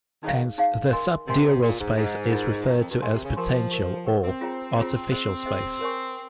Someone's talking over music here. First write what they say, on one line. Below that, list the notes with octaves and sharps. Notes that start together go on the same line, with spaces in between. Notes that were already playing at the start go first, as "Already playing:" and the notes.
Hence, the subdural space is referred to as "potential" or "artificial" space.
D#3 D#4 G#4 C#5 F5
D#4 G#4 C#5 F5
A#4 D#5 G#5 C6
C3 A#4 D#5 G#5 C6
A#2 G#4 D#5 G#5
G#2
G#2 G#4 D#5 G#5
F4 A#4 D#5 A#5
G2 F4 A#4 D#5 A#5
F2
G2
G#2 G4 A#4 D#5 G#5 C6
C3
C#3
F3 G4 A#4 D#5 G#5 C6
G4 A#4 D#5
G4 A#4 D#5
C4
F4 G#4 C#5 G5 A#5
F4 G#4 C#5 G5 A#5
C4 G#4 C5 D#5
G#4 C5 D#5
A#4 C#5 G#5 C#6